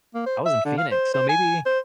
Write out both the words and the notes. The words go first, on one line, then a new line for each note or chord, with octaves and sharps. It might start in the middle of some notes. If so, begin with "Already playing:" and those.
I was in Phoenix. So maybe
A#3
C5
E5
D3
F5
C5
C5
G#5
C5